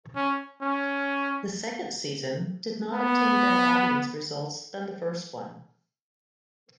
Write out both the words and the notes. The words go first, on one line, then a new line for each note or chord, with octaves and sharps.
The second season did not obtain better audience results than the first one.
C#4
C#4
B3